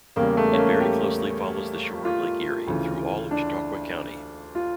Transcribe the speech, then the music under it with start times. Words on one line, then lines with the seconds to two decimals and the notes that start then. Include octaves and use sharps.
It very closely follows the shore of Lake Erie through all of Chautauqua County.
0.16 E2 C#3 G3 A#3
0.37 A3
0.52 C#4
0.58 A#3
0.80 G4
2.05 F4
2.67 D2 C#3 E3
3.31 D4
4.55 F4